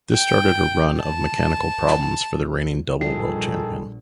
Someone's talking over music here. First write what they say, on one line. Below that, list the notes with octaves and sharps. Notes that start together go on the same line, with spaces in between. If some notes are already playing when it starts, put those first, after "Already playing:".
This started a run of mechanical problems for the reigning double World Champion.
G5
A5
A#1 D#3 F3 G3 G#4 A4